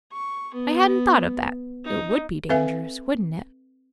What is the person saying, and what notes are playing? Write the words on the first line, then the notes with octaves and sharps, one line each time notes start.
"I hadn't thought of that--it would be dangerous, wouldn't it?"
C#6
B3
D#4
C4 A4 B4 E5 F5 G#5